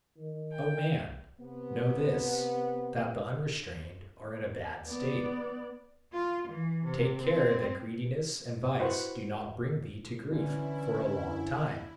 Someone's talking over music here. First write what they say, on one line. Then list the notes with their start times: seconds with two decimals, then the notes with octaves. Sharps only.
O man, know this, that the unrestrained are in a bad state; take care that greediness and vice do not bring thee to grief for a long time!
0.17 D#3
0.53 G5
1.40 C3 B3
4.87 B3 D5
6.13 F4
6.48 E3
6.84 C3
7.20 C4
8.79 E4 F#4 B4 C5 F#5 C#6
10.31 D3 E3 G3 C#4 E4